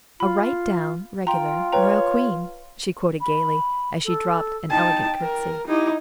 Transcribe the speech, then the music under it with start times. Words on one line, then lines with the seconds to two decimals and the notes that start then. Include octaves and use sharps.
"A right down, regular, Royal Queen," she quoted gaily as she dropped an elegant curtsey.
0.20 F4 B5
1.27 F4 G5 A#5 C6
1.72 B4 C#5 G5 A#5
3.21 B5
4.05 A4
4.70 D#4 G5 A5
5.21 A#4
5.67 D#4 E4 G4